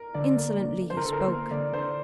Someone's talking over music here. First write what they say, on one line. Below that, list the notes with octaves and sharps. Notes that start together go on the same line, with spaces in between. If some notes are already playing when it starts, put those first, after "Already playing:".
Insolently he spoke.
Already playing: A#4
D3 D5
A#3
D3
D3
C5
A#4
D3 A4
A#4
C5
A#3
D3 D5
D3 C5